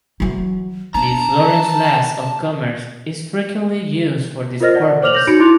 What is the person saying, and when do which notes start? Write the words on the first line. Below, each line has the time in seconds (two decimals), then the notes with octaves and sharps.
The Florence flask of commerce is frequently used for this purpose.
0.20 E3 F#3
0.94 D4 A5 A#5
4.60 F4 A#4 C5 D#5 F6 A#6
4.75 D5 F#5 A5
5.02 C5 C#5 D6 F6 F7 F#7
5.13 G6 A#6 F7
5.27 D#4 F#4 B5 A#6 C#7 D7
5.39 E4 C6 D6 F#6 F7